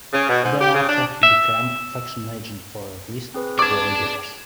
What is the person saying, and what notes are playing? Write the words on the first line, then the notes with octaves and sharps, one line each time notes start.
Thereafter he became a Faction agent for at least four years.
C#3
B2
G#2
G4
C#3
D4
E5
C4 G#4 B4
D5 A5 D6 G#6